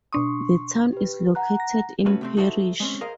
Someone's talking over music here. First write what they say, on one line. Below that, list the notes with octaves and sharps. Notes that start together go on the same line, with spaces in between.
The town is located in Parish.
B2 D4 C6 C#6 D#6
G4 B4
F#5 A#5 F#6
A#6
A3 C#4 F#4 B4
C3 A3 C4
D#4 F#4 A4 C5 D#5 E5
G#3 C4 C#4
G#4 A#4 C5 D#5 F5